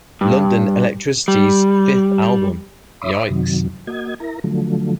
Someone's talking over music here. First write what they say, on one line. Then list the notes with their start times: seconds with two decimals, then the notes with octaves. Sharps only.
London Elektricity's fifth album, Yikes!
0.21 G2
1.28 G3
3.01 C#5 E5 B5 C6 D6 D#6
3.30 F#2 C3 D#3 F#3
3.87 A#3 F#4 D#5 G#6
4.20 E4 A#4 A#5
4.44 D3 F3 F#3 A3